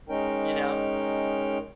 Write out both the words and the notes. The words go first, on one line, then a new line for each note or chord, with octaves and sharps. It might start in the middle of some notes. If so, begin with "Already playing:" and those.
you know?
G#3 C#4 D#4 A#4 G5